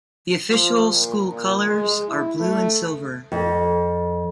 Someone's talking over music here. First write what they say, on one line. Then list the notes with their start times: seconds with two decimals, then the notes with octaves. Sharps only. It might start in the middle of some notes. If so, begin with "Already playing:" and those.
The official school colors are blue and silver.
0.49 F3
0.92 A#2
1.29 A#2
1.67 G#3
2.09 E4
2.40 A3
3.32 F2